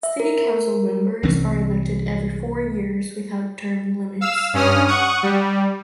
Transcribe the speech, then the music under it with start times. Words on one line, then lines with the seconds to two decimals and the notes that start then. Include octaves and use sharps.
City council members are elected every four years, without term limits.
0.03 E5
0.20 A#4
1.23 C2 E3 C4 C#4
4.21 F5 E6
4.53 G2 C#4 D#6 F6
4.87 F#5 C#6 D#6
5.23 G3